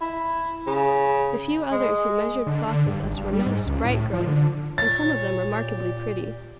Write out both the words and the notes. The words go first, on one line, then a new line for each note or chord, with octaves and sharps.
The few others who measured cloth with us were nice, bright girls, and some of them remarkably pretty.
E4
C#3
G#3
D3
D3
G2
G#1
G2
G3
G#2
C#2
A2
F3
D3
A#2 C#5 A6
G4